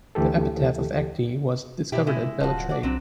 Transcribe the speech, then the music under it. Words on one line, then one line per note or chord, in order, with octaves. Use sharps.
The epitaph of Acte was discovered at Velitrae.
D2 E3 G4 A4
B2 E4 G4
G#3 E4
D1 F3 F#4
F#4 D5
C2 F#3 C4 D4